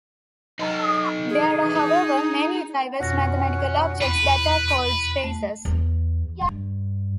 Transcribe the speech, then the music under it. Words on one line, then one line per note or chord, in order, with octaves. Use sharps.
There are however, many diverse mathematical objects that are called spaces.
D#4 B4 D#5
G#4
D#4
F2 B2 C#4 F#4 F#5 A#6
E2 B4 B5
A3
E2
G2